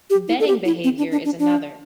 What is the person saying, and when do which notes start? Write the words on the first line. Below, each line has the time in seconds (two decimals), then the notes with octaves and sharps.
Betting behavior is another.
0.10 G4
0.28 E4
0.40 A4
0.48 G4
0.65 E4
0.84 C4
0.98 D4
1.12 D4
1.25 D4
1.39 D4